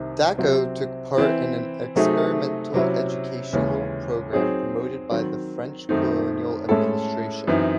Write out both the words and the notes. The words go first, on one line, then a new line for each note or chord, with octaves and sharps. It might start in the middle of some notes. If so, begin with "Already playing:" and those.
Dacko took part in an experimental educational program promoted by the French colonial administration.
Already playing: C2 C3 D#3
C3 F#3 C4
E3 C4 E4
C3 F#3 A3 D#4 G#4
C3 F#3 C#4 E4
D#2 C#3 E3 G#3 C#4
F#3 C4 D#4 G#4 C#5
D#3 F#3 C4
F#2 D#3 A3 C4 D#4
A2 G#3 C#4 E4 A4
F#2 E3 C4 D#4